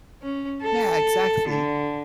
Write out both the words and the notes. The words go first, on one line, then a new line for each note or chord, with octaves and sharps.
Yeah, exactly.
C#4
A4
D3